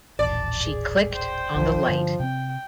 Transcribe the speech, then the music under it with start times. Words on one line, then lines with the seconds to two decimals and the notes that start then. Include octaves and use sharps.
She clicked on the light.
0.19 D#1 A1 D5 A5
0.64 G#4
1.14 C5 G5
1.54 F#1 B1 E3 F3
1.88 G2 D3
2.20 C3 C4 G5